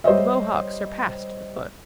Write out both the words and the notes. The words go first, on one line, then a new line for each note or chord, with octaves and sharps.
The Mohawk surpassed the Fun.
G3 C5 C#5 D#5 E5